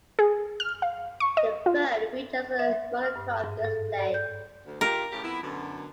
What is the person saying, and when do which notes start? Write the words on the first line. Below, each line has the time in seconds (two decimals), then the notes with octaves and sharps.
The phone features a monochrome display.
0.19 G#4
0.60 F6
0.82 F5
1.20 C#6
1.37 D#5
1.66 F4
2.59 E5
3.03 F6
3.16 G2
3.44 G#2
3.65 A4
3.99 D5
4.14 G6
4.66 D2
4.81 F4 G4 A#4
5.11 A2 C#3 G4
5.23 F2 B3 E4
5.42 F#2 B2 D3